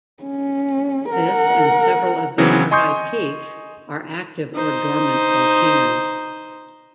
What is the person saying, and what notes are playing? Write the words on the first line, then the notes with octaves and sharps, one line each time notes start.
This, and several of the other high peaks, are active or dormant volcanoes.
C#4
A#4 F#5
C#3 E3 F#3 B3 C4
D#5 G#5 C6 C#6 D#6 G6
D#4 C5